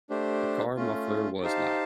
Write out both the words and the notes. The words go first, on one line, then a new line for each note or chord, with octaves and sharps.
The car muffler was loud.
A3 D4 G4 C5
A3 C#4 F4
D#4 G4 C5 F5 A5